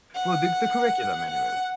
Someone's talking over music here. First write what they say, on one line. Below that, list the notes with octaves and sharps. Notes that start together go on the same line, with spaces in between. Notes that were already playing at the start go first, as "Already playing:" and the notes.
Well, the the curriculum, anyways.
F#5
F#5